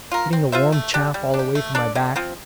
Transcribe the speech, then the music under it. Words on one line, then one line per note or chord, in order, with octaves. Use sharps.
"Getting the warm chaff all away from my back!"
F4 A#4
C4
F4 C5 E5
A3
D4 G4
G3
D4
G4
A3
D4 A4 D5
D3
F3 C4